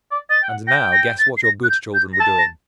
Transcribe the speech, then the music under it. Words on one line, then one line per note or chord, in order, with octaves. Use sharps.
And now, guess what your good children were doing?
D5
D#5 A6
G5
F#5
G5 A#6
A#6
A6
C7
A#6
F#6
G6
G6
A#6
A5 A6
A#6